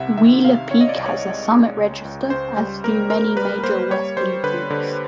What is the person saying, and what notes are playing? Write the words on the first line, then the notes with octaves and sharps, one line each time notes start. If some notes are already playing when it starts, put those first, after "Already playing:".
Wheeler Peak has a summit register as do many major western peaks.
Already playing: C2 C3 E5 F#5
D#3 E5
C3 F5
C3 C#5
D#5
D5
C2
C#5
G#3
G#3
C#2
C#2
C#2 C5
G3
A#3 A#4
A#3 A#4
G3 B4
A#3 C5
G3 C#5
G3 C5
D3 B4
D3